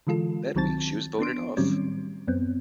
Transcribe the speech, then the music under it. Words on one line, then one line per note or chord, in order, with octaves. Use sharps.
That week, she was voted off.
D3 E3 G#3 F4 A4
C2 D#3 F#3 C4 A5 A6
B3 D4 C6 D7
A2 D#3 F#3 G3 C4 C#4
F#2 B3 C4